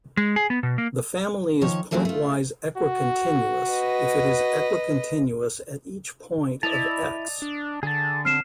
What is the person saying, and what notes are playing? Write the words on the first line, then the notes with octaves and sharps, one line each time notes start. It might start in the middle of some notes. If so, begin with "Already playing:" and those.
The family is pointwise equicontinuous if it is equicontinuous at each point of "X".
G#3
G#4
B3
B2
A#3
D#3 F3 C#5
C#3 E3 F#3 A3 A#3 D4
A3 F4
F#4
B4 D#5
E4 D5 D#5 A5 F7
D4
D3 G#4 A5
C4 F6 C7 E7